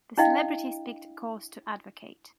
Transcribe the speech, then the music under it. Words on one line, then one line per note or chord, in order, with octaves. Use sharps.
The celebrities picked a cause to advocate.
D4 E4 D#5 F5 G5